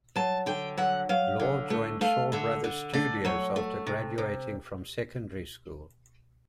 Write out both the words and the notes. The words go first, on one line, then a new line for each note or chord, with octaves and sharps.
Lau joined Shaw Brothers Studios after graduating from secondary school.
F#3 A5
D3 G5
F#3 F#5
F#3 F5
D3
A3
A3 F5
D3 E5
D3
A3 D5
F#3 C#5
A3
C3
C3